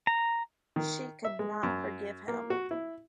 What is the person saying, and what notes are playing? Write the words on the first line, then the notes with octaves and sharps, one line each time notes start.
She could not forgive him.
A#5
D#3
E5
G#3
F#2
A#3
F#4
E4